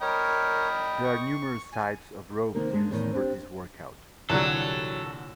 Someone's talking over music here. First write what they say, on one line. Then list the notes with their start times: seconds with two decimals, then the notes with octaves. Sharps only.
There are numerous types of ropes used for this workout.
0.02 A#4 C#5 D#5 G5 B5
1.05 C#6
1.73 G#5
2.55 C3 D#3 A#3 D#4 A#4
2.73 G#3 A#3 D4
2.91 E2 A2 D#3
3.12 C4 D4 G4
4.30 C2 A#2 D3 E3 F#3 G3 A4